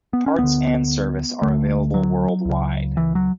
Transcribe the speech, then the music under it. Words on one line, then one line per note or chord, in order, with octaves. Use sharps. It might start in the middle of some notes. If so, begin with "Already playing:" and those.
Parts and service are available worldwide.
B3
C#4
D2 D3 B3
D2 D3 A3
F#3
C#2 C#3
E3
F#3